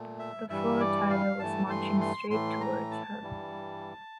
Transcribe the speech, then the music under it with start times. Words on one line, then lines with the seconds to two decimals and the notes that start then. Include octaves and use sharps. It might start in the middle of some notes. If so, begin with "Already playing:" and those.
The floor tiler was marching straight towards her.
Already playing: A#2 A3
0.19 E5
0.50 G2 E3 G3 E5
0.80 D5
1.10 F5
1.39 G2 E3 A3 A5
1.70 C6
2.01 C6
2.30 A2 E3 A3 C6
2.61 A#5
2.91 A5
3.21 G2 E3 G3